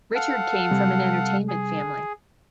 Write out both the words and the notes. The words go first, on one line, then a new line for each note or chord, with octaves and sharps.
Richard came from an entertainment family.
A4 F5 F#5
C3 G3
G#4